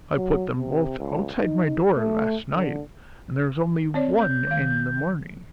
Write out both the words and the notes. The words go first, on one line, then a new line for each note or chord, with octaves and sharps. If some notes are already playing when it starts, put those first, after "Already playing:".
I put them both outside my door last night, and there was only one in the morning.
F#3
C3
C#2
D#4
A3
D3
C4 C#5 D5
G6
D#3 F5